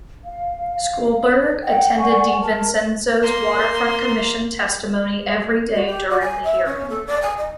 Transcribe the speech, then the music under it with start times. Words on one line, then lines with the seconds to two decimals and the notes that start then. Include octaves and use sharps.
Schulberg attended DeVincenzo's waterfront commission testimony every day during the hearing.
0.24 F5
1.62 F#5 G5
1.97 D5 F#5 G#5 C#6
2.41 A#4 A5
3.23 A#3 C6
5.73 F#4
5.86 G4
6.10 F#4
6.21 G#5
6.44 E5
6.66 C#4
6.90 A4
7.07 D5
7.22 G#5
7.37 D#5